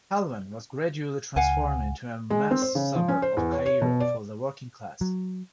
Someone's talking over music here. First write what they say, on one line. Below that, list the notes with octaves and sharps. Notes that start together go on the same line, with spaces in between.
Helwan was gradually transformed into a mass suburb of Cairo for the working class.
C#2 F5 F#5 G#5
G#3
C4
C5
C#3
F3
C#4
C5
E2
C#5
C#5
B2
D5
F#3